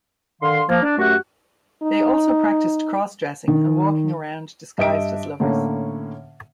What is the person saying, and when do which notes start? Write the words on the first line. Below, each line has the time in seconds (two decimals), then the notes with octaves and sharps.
They also practiced cross-dressing and walking around disguised as lovers.
0.42 D3 D#3 F5 C6
0.69 F3 A#3
0.83 D4
0.98 F#2 A3 F#4 G4 F#5
1.83 D#4
3.48 D#3
4.78 G2 D#5 E5 D7
5.40 A2 D3 A#3 C#4